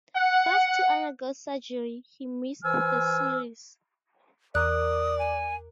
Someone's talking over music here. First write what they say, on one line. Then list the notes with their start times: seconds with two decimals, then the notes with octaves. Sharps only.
Forced to undergo surgery, he missed the series.
0.16 F#5
2.63 E3 C5 G#5 E6 F6
4.55 E2 A#4 D5 D6 D#6 F#6
5.19 G#5